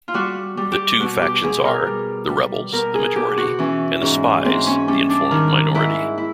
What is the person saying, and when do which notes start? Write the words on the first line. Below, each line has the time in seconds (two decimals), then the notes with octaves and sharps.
The two factions are: the Rebels, the majority; and the Spies, the informed minority.
0.08 F4
0.14 G3 F#4
0.57 G3
0.72 G4
1.00 B2 F#4
1.22 G4
1.43 B2 G#4
1.65 A#4
1.86 G3
2.29 G3
2.72 B2 A#4
2.94 G#4
3.16 B2 G4
3.37 F#4
3.59 E3 C#4
4.02 G#2 C#4
4.45 G#2 C4
4.67 C#4
4.88 G3 C#4
5.10 D4
5.31 D#3
5.74 G#2 E4
6.18 E4